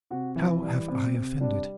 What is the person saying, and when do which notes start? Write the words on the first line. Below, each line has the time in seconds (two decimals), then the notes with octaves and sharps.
"How have I offended?"
0.11 C3 F#4
0.36 E3 E4
0.62 G3
0.89 C3
1.15 C3
1.40 G3 D4